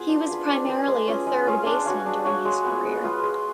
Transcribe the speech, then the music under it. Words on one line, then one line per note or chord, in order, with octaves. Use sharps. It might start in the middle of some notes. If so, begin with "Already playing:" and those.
He was primarily a third baseman during his career.
Already playing: B3 F4 G#4
D4
F4 G#4 B4
D4
F4 G#4 B4
G#3
C#4 F4 G#4
G#3
C#4 F4 G#4
D4
F#4 C#5 F5
D4
F#4 C#5 F5
G#3
B3 F4
G#3
B3 F4
G#3